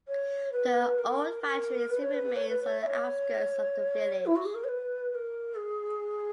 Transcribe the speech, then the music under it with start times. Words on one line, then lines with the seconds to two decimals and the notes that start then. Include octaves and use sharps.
The old factory still remains on the outskirts of the village.
0.07 C#5
0.51 B4
0.98 A#4
1.43 A#4
1.89 B4
2.01 C#5
2.13 B4
2.35 C#5
2.48 B4
2.63 C#5
2.81 E5
2.86 C#5
4.25 E4
4.35 F#4
4.45 G#4
4.54 A#4
4.63 C#5
4.68 B4
5.10 B4
5.14 A#4
5.55 G#4